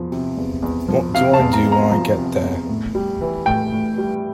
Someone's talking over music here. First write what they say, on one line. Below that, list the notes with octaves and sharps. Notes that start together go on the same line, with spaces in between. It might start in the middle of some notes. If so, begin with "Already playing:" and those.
What do I do when I get there?
Already playing: E2 F3
C3
E2
E2
F3
C3 F5
A5
E2
A#5
E2
A#5
F3 A#5
C3
E2
A2
G3
E3
A2 G5
A2
G3